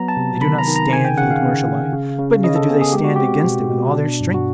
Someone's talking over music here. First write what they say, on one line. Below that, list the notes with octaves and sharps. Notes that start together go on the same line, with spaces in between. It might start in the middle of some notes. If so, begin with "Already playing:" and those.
They do not stand for the commercial life, but neither do they stand against it with all their strength.
Already playing: F#3 B3 A#5
A5
C3
D#3 B5
A#5
D#3
A#5
C#3 G#5
G5
C#3 F#5
F5
C#3
C#3
C#3
C#3
C#3 D#5
A4
B3 G#4
G#4
G#3 G4
F#4
C4 G4
B2
B2
D4
G2
F#4